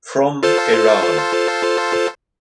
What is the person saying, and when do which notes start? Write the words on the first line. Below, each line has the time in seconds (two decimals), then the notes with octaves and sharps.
From Iran.
0.43 F4 A4 C5